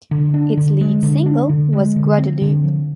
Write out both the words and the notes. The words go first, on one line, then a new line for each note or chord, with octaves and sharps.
Its lead single was "Guadalupe".
D3
D4
D3
G#3
D3
D4
D3
G#3
D3
C4
D3
F3